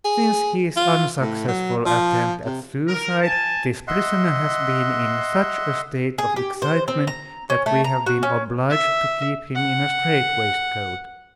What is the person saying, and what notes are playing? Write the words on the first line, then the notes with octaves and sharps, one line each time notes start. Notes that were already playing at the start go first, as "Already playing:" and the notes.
Since his unsuccessful attempt at suicide, this prisoner has been in such a state of excitement that we have been obliged to keep him in a strait-waistcoat.
G#4
F4
A2
F#3
F3
C3
A#4
G#5 A5
D#5 E5 F#5 C6
G#4
G4
C5
C4
A#5
C#4
A3
A#5
F#4
C#4
E5
F#5